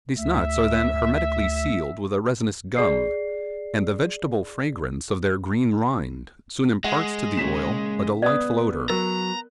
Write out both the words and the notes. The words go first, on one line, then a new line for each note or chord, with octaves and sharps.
These nuts are then hermetically sealed with a resinous gum, and the vegetable fragrance of their green rind soon imparts to the oil a delightful odour.
D2 E5
G#4 D5 C7
G#3 F#5
A#2 C#3 B6 E7
B3 D5 D#6
F#3 A#4 A#5